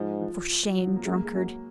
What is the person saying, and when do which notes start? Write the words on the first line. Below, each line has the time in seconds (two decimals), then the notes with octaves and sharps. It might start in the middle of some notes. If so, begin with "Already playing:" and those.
For shame, drunkard!'
Already playing: G#2 F3
0.21 F3
0.78 F#3
0.87 F3
0.96 A#3
1.05 F#2 G#3
1.15 A#3
1.24 G#3
1.34 F#2 F#3